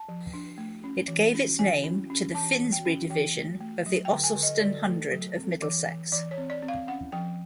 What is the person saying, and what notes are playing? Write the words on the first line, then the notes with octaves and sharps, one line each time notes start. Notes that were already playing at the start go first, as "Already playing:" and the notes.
It gave its name to the Finsbury division of the Ossulstone hundred of Middlesex.
Already playing: A5
F3
D4
A3
C#4
E3
C#4
E3 G#5
C#4
C#4
E3 A5
E3
G5
C#4
E3 G5
A3
A3
F#3
G5
D3
G#5
D3
D#5
D3 D5
A3
F#3
C4
E3
E3
E3 D5
C#5
C4
D5
C4
F5
C#4 F#5
F3 G5